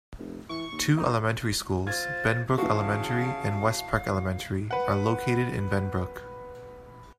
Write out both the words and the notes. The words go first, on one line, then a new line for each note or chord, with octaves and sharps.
Two elementary schools, Benbrook Elementary and Westpark Elementary, are located in Benbrook.
F1
E3 C#6
D#2
A#1 D#4
F4 C5 G#6 A6
C#3 E3 F#4 F5 A5
B4 F#5